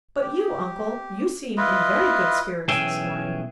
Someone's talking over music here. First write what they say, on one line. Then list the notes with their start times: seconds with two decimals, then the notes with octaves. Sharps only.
"But you, uncle, you seem in very good spirits this morning."
0.21 G4
1.57 E4 F4 B4 D#5
2.68 B1 E3 C#4 G#4 E5 G5